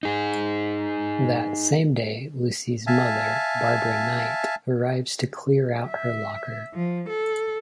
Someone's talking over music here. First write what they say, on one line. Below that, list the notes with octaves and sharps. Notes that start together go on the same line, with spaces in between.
That same day, Lucy's mother, Barbara Knight, arrives to clear out her locker.
D#4 G#4
E5 F5 G#5 A5
E5
F3
A4